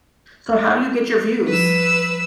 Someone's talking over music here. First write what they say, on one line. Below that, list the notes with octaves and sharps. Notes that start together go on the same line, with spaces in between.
So how do you get your views?
F3 G3 B4 E6